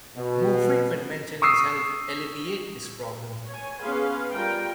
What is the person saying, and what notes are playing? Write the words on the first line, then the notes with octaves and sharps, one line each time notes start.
More frequent maintenance helped alleviate this problem.
B2
C#6 D#6 E6 C7
C#5 G#5
B3 C#4 G#4 B4 F5 C6
G3 F4 A#4 G5